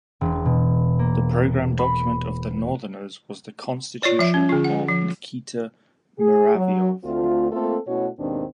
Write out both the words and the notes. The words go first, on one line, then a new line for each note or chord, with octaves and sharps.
The program document of the "northerners" was the "Constitution" of Nikita Muravyov.
E1
B2
A#3
B5
F4 C#5 D5
F3 E5
C#4
D3 F4
F#5
F3
G#4
F#3
D2 A3 C4 F4
A3 A#3 C4 F4 A4
B2 A3 C#4 E4 F#4 C#5
D#2 G#2 B2 D#3 C4 D4